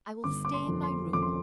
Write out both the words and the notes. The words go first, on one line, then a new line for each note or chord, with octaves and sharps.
I will stay in my room.
G1 D6
D6
C6
F2
C6
F2 D6
C6